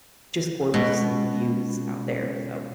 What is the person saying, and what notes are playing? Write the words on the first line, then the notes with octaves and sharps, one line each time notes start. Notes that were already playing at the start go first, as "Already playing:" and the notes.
just gorgeous views out there. So,
B2 G#3 B3 C#4 F4